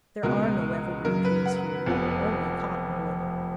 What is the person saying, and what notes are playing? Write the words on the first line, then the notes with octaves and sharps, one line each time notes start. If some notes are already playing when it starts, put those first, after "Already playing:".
There are no evergreen trees here, only cottonwood.
C#2 B2 G#3 B3 A#4
F#2 C#3 F#3 A#4
B4
F#5
F1 F2 F3 B3